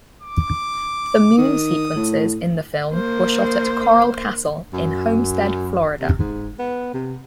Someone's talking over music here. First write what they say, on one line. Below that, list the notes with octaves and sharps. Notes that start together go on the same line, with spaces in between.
The Moon sequences in the film were shot at Coral Castle in Homestead, Florida.
D6
D#3 D#6
A2
A#3 C5
F#2
C3
G#2
B3
C3